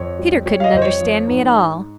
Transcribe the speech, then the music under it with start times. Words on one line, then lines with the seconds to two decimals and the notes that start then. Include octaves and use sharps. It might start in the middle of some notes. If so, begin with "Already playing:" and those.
Peter couldn't understand me at all.
Already playing: F2 C#5
0.19 G3
0.46 G3 C#5
0.60 F5
0.64 D#5
0.73 F2 C5
0.82 C#5
1.01 F3
1.27 G#2